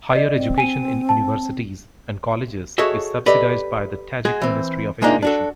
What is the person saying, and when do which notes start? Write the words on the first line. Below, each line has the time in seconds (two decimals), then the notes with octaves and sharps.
Higher education in universities and colleges is subsidized by the Tajik Ministry of Education.
0.12 D5 D#5
0.34 C4
0.58 G#5 D#7
1.09 A5
2.78 F#4 G#4 A4 C#5 D#5 E5
3.26 G4 A4 B4 D5 D#5
4.25 G#3 F#4 G#4
4.42 E3 C4
5.02 C3 G#3 A#3 D4 D#4 F4
5.22 D4 F#4 A4